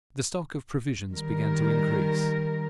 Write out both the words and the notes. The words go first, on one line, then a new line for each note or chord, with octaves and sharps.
The stock of provisions began to increase.
D#3 G3 A#4